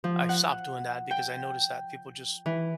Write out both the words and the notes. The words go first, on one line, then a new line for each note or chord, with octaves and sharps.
I've stopped doing that because I noticed that people just
F3
F#5
G5
E3